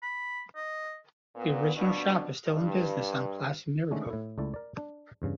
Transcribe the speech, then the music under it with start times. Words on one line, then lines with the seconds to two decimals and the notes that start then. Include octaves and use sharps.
The original shop is still in business on Place Mirabeau.
0.03 B5
0.56 D#5
1.35 A#2 B3
1.74 F2 B2 D4
2.48 G2
3.91 D3 D#3 G#3 A3 C#4 D4
4.10 A2 E4
4.38 C#2 A3 E4 D5
4.54 A#4 D5
4.77 D4
5.22 E2 G2 C#3